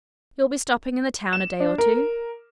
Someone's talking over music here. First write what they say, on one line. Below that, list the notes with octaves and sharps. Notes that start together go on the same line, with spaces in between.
You'll be stopping in the town a day or two?
E7
D4
A#4